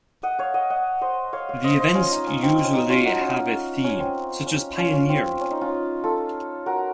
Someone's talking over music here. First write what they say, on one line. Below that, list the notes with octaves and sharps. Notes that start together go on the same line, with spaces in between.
The events usually have a theme, such as pioneering.
D#5 F#5
C#5 F5
D#5 F#5
D#5 F#5
C5 D#5
C#5 F5
C#5 F5
C5 D#5
C5 D#5
C#4 F4
D#4
C#4
C4
C#4
D#4
C#4 F4
D#4 F#4
C#4 F4
C#4
C4
C#4
C#4 F4
C#4
C4
C#4
D#4
C#4 F4
F4 A4
F#4 A#4